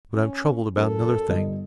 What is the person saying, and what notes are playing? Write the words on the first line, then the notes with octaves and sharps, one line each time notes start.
But I am troubled about another thing.
C#4
F#2 A4
G1 G3 D#5